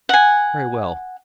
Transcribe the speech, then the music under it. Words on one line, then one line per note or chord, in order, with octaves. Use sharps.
Very well.
F#5 G#5